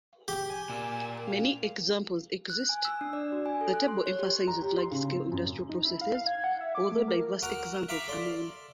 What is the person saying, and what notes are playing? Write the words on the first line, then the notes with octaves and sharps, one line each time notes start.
Many examples exist, the table emphasizes large-scale industrial processes, although diverse examples are known.
G4
G#5
A#2 G#5 E6
F5
F#6
G#5
E6
D4
D5
F#4
G#5
A4
F#6
C6
C#5
G4
A#5
G4
C6
C#3
C4
F#2
D#4
E4
F5
F5
G#6
F#5
E5
D6
A3
A#4
F#4 A#4 F#5
E5 F5 A#5 B5 C#6 D6
A4 D5 C6